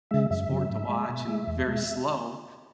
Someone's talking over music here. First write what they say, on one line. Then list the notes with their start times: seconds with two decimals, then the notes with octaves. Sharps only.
sport to watch and very slow.
0.11 C#3 G#3 E5
0.30 F#2 E5
0.49 C#3 F#3
0.70 G#2
0.89 G#3
1.09 B2
1.28 G#3
1.47 E2
1.67 B2 G#3